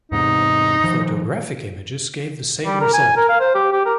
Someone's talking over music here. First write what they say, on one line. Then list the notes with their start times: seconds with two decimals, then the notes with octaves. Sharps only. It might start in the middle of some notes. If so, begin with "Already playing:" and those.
Photographic images gave the same result.
0.12 E2 G#2 C3 D#4
0.84 D#3 F3
2.65 G3
2.81 A#4
2.93 G#5
3.17 A#4
3.29 F5
3.40 C5
3.55 G4
3.73 G4
3.86 A#4